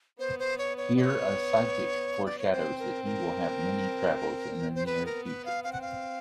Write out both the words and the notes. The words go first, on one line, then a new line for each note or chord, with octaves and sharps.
Here a psychic foreshadows that he will have many travels in the near future.
B3 C5
C5
C#5
C#5
D5
C#5
D5
C#5
C4 C5
A#4
A#4
C5
B3 B4
A#4
B4
F5
C4 F5
F#5
F5